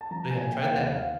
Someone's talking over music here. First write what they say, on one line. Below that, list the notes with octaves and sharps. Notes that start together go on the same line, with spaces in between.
So yeah, try that.
A5
F3 A#5
A#3 G#5
A#3 G5
F5
D#2 F#5
F#5
D#2 F5